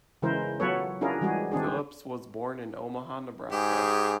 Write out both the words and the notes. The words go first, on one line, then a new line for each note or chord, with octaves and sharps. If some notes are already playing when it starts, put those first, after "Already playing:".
Phillips was born in Omaha, Nebraska.
C#3 E3 G#3 E4 A#4 C5
F#3 B3 F4 A4 B4 C#5
C#4 D4 E4 F4 G#4 A#4
E3 G3 G#3 F#4 G#4
D#3 C4 D4 G#4
G#2 G4 G#4